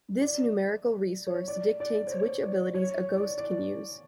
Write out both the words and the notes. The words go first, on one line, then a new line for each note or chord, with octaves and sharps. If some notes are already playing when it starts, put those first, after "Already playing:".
This numerical resource dictates which abilities a ghost can use.
D5
C#5
D5
D5
C5
C#5
D5
C#5
C#5
D5
D5